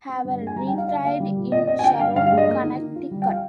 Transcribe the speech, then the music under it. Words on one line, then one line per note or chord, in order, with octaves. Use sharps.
Haver retired in Sharon, Connecticut.
C4
G2
G#3
G#5
G3 A#5
G5
D#4
F5
D3 F5
A#3 F5
G3
A#2
A#2 D#5
C4 D#5
G#5
D3 G5
G2 F5
G2 F5
F5
G#3
D#5
A#3
D#3
D#3
F4
G3
G5
F4 F5